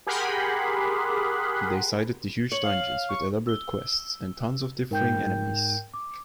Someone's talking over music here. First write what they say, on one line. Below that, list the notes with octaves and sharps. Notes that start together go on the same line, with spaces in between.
They cited the Huge dungeons with elaborate quests and tons of differing enemies.
G4 G#4 A#4 F#5 B5 C6
C#5 F#7
F5
C#6
E6 G7
G#2 A#4 G5 G6
D6